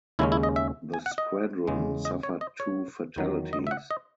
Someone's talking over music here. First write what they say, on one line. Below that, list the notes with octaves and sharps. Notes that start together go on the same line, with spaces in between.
The Squadron suffered two fatalities.
D#2 C#3 G#3 C#4 E4
E4
D#5
E5
G#5
F#5
D#5
E2 C#3 G#3
D#5
C#5
D#5
C#5
E2 D#3 F#3
D#5
E5
F#5
D#5